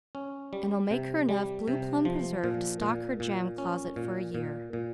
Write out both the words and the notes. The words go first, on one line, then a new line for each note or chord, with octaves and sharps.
And I'll make her enough blue plum preserve to stock her jam closet for a year.
C#4
G3
C3
G3
C3
F3
A#2
A#2
A#2
C#4
A#2
A#2
A#2